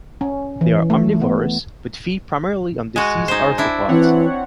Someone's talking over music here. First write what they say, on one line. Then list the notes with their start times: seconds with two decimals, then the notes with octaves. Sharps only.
They are omnivorous, but feed primarily on deceased arthropods.
0.21 C#4
0.61 E3
0.90 A3
1.21 B3
2.96 G#3 F#4 G#5
3.28 D#4 C5
3.58 D4 E4
3.89 E3 C4 C#5 F#5